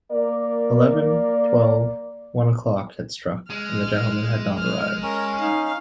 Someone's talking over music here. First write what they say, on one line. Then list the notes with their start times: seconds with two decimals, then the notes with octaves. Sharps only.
Eleven — twelve — one o’clock had struck, and the gentlemen had not arrived.
0.12 A#3 A#4 D5
3.50 G#3 F6
4.58 F6
5.03 C#4 A#4
5.39 D#4 F5